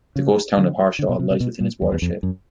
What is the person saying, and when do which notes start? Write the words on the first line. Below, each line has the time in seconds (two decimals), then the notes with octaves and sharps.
The ghost town of Harshaw lies within its watershed.
0.16 C#3
0.57 D3
0.99 D3
1.09 B2
1.19 C3
1.30 C3
1.40 B2
1.61 A#2
1.82 E2
1.92 E2
2.02 F2
2.23 F#2